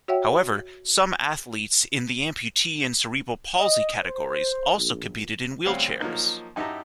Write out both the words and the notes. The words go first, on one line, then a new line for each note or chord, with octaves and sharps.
However some athletes in the amputee and cerebral palsy categories also competed in wheelchairs.
F#4 C#5 E5 F#5 G5
D#5
C5
A#1
D2 G3 C4 C#4 F5 F#5
F3 F#3 A#3 D#4
F#2 D#4 E4 G4 A5 A#5